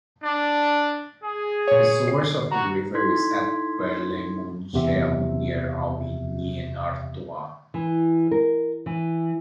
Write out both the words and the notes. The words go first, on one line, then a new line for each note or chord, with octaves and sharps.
The source of the river is at Berles-Monchel near Aubigny-en-Artois.
D4
G#4
A#2 C#5
C7
F#4 A#5
D#4 E4 A4 C6 G#6 B6
E2 C3 E5
E3
A#4
E3